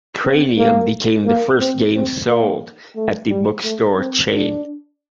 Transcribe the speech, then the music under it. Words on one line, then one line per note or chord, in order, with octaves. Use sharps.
"Cranium" became the first game sold at the bookstore chain.
C4
A#3
A#3
C4
C4
A#3
A3
G3
A3
C4
D4